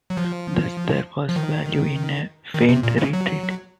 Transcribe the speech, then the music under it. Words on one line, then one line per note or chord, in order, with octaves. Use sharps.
Thus there was value in a "feigned" retreat.
F#3
F3
F3
D#3
D#3
C3
A#2
C#3
F#3